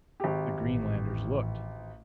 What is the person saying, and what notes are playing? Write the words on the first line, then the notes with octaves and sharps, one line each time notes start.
The Greenlanders looked.
G#1 G4
A1